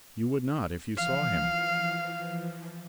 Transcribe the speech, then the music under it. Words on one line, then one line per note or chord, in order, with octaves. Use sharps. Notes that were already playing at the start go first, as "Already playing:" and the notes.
You would not if you saw him.
E3 F3 F5